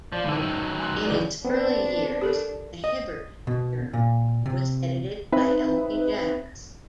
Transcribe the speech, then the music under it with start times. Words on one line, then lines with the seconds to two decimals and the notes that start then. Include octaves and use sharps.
In its early years, "The Hibbert Journal" was edited by L. P. Jacks.
0.13 F3 D5
0.25 G#2 D3 E3 E6
0.37 D#3 F#3
0.79 G#5 C6 F#6
1.05 C#2 E3 D5
1.45 B3 C4 D4 C5
2.21 G4 A4 A#4
2.84 D#5
3.47 B2
3.93 A#2
4.46 C3
5.32 C4 D#4 B4 E5